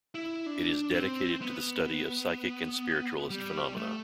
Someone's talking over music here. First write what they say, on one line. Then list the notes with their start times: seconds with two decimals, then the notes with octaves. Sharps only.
It is dedicated to the study of psychic and spiritualist phenomena.
0.15 E4
0.46 D4
0.94 C4
1.41 B3
3.30 G3
3.77 A3